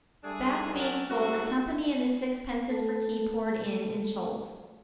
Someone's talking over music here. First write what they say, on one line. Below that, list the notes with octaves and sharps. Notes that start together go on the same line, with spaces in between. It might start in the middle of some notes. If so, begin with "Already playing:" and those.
Bath being full, the company, and the sixpences for tea, poured in, in shoals.
G3 A3 D4 G#4
F#3 C#4 D4 A#4
G#2 A3 F#4
A3 A4